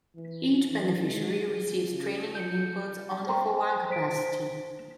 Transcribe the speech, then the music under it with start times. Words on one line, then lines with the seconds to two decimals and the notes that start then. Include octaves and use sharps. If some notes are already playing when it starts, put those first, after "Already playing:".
Each beneficiary receives training and inputs only for one capacity.
0.16 E3
0.69 E3
1.02 G#3
1.44 G#4
1.91 C#3
2.35 G6 C#7
3.27 C5 G5 A#5 C6 C#6
3.90 C5 B6 D7